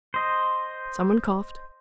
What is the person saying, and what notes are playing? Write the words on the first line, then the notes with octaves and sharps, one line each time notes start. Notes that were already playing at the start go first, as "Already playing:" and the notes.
Some one coughed.
C5 D#5